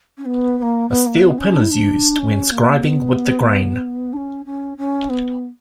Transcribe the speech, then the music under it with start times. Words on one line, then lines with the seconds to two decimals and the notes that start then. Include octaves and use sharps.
A steel pin is used when scribing with the grain.
0.17 C#4
0.25 B3
0.58 B3
0.62 A#3
0.89 B3
1.06 A#3
1.21 B3
1.38 C#4
1.54 D4
1.61 E4
1.70 D4
2.19 C#4
2.51 A#3
2.83 B3
4.13 D4
4.16 C#4
4.45 C#4
4.77 C#4
5.09 B3